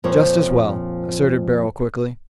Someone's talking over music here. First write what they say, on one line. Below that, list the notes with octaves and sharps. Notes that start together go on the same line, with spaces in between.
"Just as well," asserted Beryl, quickly.
F2 A#2 F3 C#5